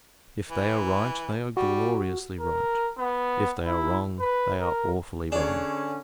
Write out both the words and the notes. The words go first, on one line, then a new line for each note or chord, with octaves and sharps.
If they are right, they are gloriously right; if they are wrong, they are awfully wrong.
E3
G3 F#4
A#4
B3
E4
B4
A#4
D3 C#4 D4 G#4 C#5